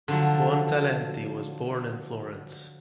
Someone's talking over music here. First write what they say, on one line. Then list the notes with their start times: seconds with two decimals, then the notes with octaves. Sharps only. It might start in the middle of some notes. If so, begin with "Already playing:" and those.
Buontalenti was born in Florence.
0.08 D3 F3 F#3